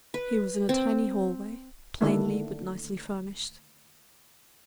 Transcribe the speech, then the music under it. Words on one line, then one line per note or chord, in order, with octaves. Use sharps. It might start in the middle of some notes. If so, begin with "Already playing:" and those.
He was in a tiny hallway, plainly but nicely furnished.
B4
C4
D3 D#3 A3 A#3 D4 E4